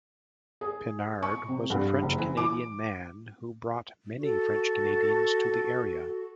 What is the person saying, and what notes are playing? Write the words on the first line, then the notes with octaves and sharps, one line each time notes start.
Pinard was a French Canadian man who brought many French Canadians to the area.
G#4
C#6
C3
G2
F#1
E3
D6
F#4 A4 C#6